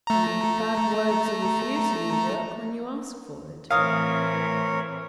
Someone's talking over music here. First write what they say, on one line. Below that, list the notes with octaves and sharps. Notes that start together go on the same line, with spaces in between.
'And bad words are refusing you work when you ask for it.'
A3 A#5
A2 E3 C4 A#4 C#5 F5 D#6